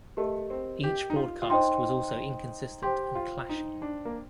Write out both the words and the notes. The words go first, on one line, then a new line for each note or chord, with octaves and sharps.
Each broadcast was also inconsistent and clashing.
A3 G4 A#4 D#5
C4
G4
D#4
F4
F4
D#4 C5 D#5 G5 C6
G4 C5 G5 C6
F4
D#4
D4
A#3